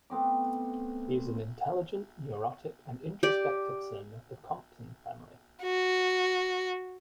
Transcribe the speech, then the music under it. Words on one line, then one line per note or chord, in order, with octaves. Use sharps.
He is an intelligent, neurotic, and introspective son of the Compson Family.
A3 B3 C4 D6
G4 D5
F#4